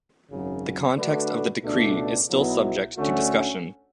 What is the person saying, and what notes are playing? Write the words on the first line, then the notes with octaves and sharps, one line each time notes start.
The context of the decree is still subject to discussion.
G#1 F#2 C#3 F#3
D3 A3 D4 F#4 B4
C#2 B2 A3 D4
B1 B2 F#3 B3 E4
D2 D3 A3 C#4 F#4